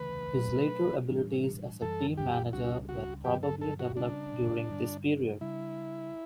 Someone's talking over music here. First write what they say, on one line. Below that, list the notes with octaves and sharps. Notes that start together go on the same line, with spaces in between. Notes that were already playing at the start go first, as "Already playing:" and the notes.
His later abilities as a team manager were probably developed during this period.
Already playing: D2 C#3 E3 A3 B4
B2 F#3 A3
A2 E3 G3 D4
F#2 E3 G3 A4
G4
C#2 C#3 G3 D4 F#4
F#4
G2 D3 F#3 B3 G4
A4
A4
F#4
C#3 G3 C#4 D4
G2 D3 G3
C#3 G3 D4 E4